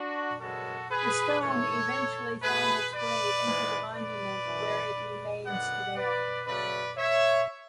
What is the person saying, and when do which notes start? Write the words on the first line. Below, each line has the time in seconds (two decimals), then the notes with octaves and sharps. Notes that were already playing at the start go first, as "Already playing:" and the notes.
The stone eventually found its way into the monument where it remains today.
Already playing: D4 F#4
0.40 F#2 C#3 G#3 B3 F#4 A4
0.90 G#4 B4
1.41 G#2 E3 A3 A4 C#5
2.41 B2 A3 G#4 B4
2.92 B4 D5
3.43 G#2 E3 G#3 B3
3.93 B4 D5
4.44 F#2 E3 A3
5.45 F#2 D3 G#3 B3 D5 F#5
5.96 B4 D5
6.46 C#3 F#3 A3 B4 D5
6.97 C#5 E5